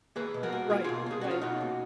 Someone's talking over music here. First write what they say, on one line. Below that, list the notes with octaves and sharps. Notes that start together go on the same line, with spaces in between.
Ye right, right.
A#3 G#4 B4
B2
F#4 A#4
A#3
A#3 F4 G#4
B2 F4 G#4
A#3 G#4
C#4 F#4
F4
B2 D#4 F#4
A#3